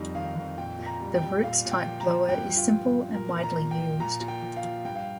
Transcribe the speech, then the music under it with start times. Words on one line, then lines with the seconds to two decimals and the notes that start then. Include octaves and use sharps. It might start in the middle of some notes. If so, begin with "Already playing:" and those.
The Roots-type blower is simple and widely used.
Already playing: F2 G3 D#4
0.15 D#3 F5
0.36 F2
0.58 A#2 G5
0.78 A#2
0.86 A#5
1.01 G3
1.15 G5
1.21 G3
1.43 A#2 F5
1.65 A#2
1.71 G5
1.86 F3
2.00 A#5
2.07 F3
2.28 G2 G5
2.50 G2
2.57 F4
2.72 F3
2.92 F3
3.14 A#2 A#4
3.36 A#2
3.43 A#5
3.57 F3
3.71 G5
3.78 F3
4.00 A#2 A#5
4.21 A#2
4.28 G5
4.42 F3
4.56 F5
4.64 F3
4.85 G2 G5
4.95 F5